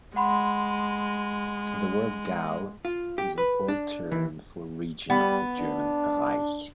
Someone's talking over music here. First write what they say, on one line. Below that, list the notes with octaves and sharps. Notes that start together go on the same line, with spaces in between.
The word Gau is an old term for a region of the German "Reich".
G#3 F#5 B5 C6
F4
G4
B4
D4
E3
G3 B3
D4